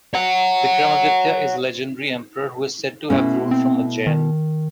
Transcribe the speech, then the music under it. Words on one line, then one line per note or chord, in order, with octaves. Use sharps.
Vikramaditya is a legendary emperor, who is said to have ruled from Ujjain.
C#5 F#5
B2 A3 C#4 E4
C4
D#3